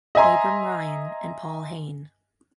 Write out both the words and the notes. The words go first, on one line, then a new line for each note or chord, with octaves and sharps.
Abram Ryan, and Paul Hayne.
D#5 E5 G#5 A#5 C6